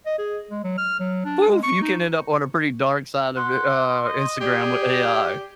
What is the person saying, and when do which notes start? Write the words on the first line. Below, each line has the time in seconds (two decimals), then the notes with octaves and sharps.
poof, you can end up on a pretty dark side of I uh, Instagram with AI.
0.06 D#5
0.18 G#4
0.50 G#3
0.64 F#3
0.78 F6
1.00 F#3
1.25 D4
1.48 G#3
1.63 C#6
1.82 D#4
3.36 F#5 C6
4.05 D#5
4.41 G4 G#4 D5